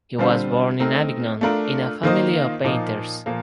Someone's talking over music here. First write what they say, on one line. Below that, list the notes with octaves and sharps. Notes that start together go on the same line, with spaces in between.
He was born in Avignon in a family of painters.
D3 G3 C4 F4 C5
A3 C4 D#4 A#4 D#5
A3 D4 F4 A#4
D#3 A#3 F4 C5 D#5
A#2 F3 A#3 D#4
A#2 F3 A#3